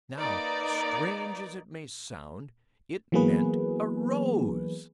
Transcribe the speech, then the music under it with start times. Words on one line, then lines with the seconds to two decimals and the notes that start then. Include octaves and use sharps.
Now--strange as it may sound--it meant a rose!
0.18 A#3 D#4 B4 D5
3.12 E3 F#3 A#3 B3 G#4 B4